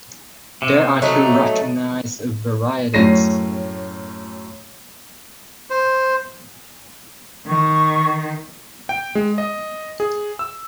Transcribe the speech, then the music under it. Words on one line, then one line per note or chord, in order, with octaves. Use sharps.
There are two recognised varieties.
C3
F#3 A3 D#4
F#2 A2 C#4 A#6 C7 D#7
C5
D#3 C#6
G5
G#3
D#5
G#4
E6